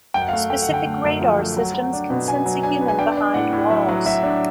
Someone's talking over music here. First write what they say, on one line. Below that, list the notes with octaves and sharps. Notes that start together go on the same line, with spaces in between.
Specific radar systems can sense a human behind walls.
F#2 G5
F#5
F5
A3 F#5
A3 G5
F#5
D3
G5
A3
F#2
F3
A3
F#3
F#3
D4
B2
B2 G#5
F#3
D4 G#5
B3
G#5
D4 G5
D4
A2 F#5
A2
F#3 E5
F#3
F#3 E5
D4